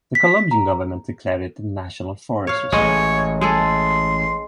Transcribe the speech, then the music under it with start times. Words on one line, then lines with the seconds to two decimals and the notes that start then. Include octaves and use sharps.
The Colombian government declared it a National Forest Reserve.
0.15 B6
0.51 A#5
2.47 C#5 F5
2.72 A1 G#3 C#5 D#5
3.41 G#3 G#4 A4 C6